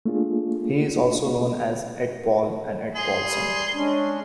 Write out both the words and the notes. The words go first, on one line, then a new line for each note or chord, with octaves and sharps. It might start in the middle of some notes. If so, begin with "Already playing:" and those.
He is also known as Ed Paul and Ed Paulson.
A3 A#3 D4 F4 G#4
G#4 C6
G3
G#3 C#4 D4